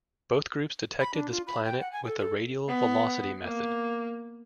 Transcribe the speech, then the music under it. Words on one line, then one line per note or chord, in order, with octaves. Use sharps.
Both groups detected this planet with the radial velocity method.
B5
D4
F4
B5
G5
F#5
G#5
A4
A4
B3
A#3